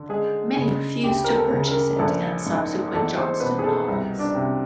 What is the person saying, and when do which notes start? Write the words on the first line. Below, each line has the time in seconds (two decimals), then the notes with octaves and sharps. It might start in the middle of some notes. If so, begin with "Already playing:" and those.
Many refused to purchase it and subsequent Johnston novels.
Already playing: D3
0.09 G#3 G#4
0.56 C#3
1.04 D2 G4
1.24 A#4
1.36 A4
1.51 C#3
1.68 A#4
1.99 A#1 A4
2.46 G#2
2.93 E2 A4
3.17 C5
3.40 B2 B4
3.59 G#4
3.64 A4
3.88 C2
4.19 D4
4.35 C3